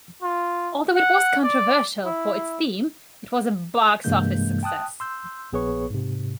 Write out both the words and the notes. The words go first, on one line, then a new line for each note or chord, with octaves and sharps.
Although it was controversial for its theme, it was a box-office success.
F4
F#5
D5
E4
G2 C3 E3 G#3 A#3 G6
G5 A5 D#6 F#6
C6 E6 G6
A#1 B3 G#4 B4 C#5 C#6
G#2 C3